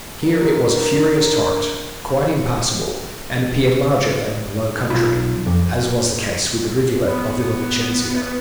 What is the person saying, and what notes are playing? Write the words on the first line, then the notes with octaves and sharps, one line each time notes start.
Here it was a furious torrent, quite impassable, and appeared larger than in the low country, as was the case with the rivulet of Villa Vicencio.
D4 A#4
B1 F4 B5
F2
B3